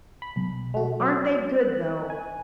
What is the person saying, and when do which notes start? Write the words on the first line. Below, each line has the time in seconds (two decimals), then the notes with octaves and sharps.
"Oh, aren't they good, though!"
0.22 B5
0.36 B1
0.77 F#4
1.00 F#3
1.61 F#6
2.10 G#5